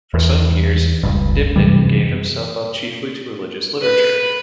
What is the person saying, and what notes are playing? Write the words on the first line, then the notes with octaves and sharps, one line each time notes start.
For some years Dibdin gave himself up chiefly to religious literature.
E2
F1 C#2 G2
F#2 C3 E3 G3
B4